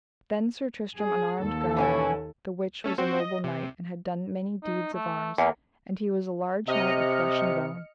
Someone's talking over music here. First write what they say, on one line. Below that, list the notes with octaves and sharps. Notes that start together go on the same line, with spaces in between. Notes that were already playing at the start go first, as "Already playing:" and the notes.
Then Sir Tristram unarmed Galleron, the which was a noble knight, and had done many deeds of arms, and he was a large knight of flesh and bone.
G#4
D#2 A4
B2 C#4 E4
A3 C#4 A4
C4 F#4 C5
D#5
C3
D#4
A3
E2 A#3
C3 D#5 F6 C#7